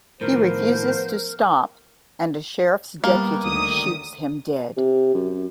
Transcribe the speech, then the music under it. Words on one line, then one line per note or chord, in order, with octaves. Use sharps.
He refuses to stop and a sheriff's deputy shoots him dead.
A2 D#3 F3 B3 A#4 C5
G3 A#3 B3
D2 D#3 D#6
C3
F#2